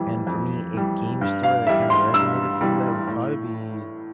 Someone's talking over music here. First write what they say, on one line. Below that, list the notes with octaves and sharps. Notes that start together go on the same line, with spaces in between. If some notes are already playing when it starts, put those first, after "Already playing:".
and for me, a game story that kinda resonated from that would probably be
Already playing: F2 E3 G3
F2
E3 G3
G2
F5
E3 G3 E5
C6
G2 E6
E3 G3
A2